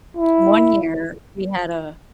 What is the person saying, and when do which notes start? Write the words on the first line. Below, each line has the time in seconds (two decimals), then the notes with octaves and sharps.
One year we had a
0.17 E4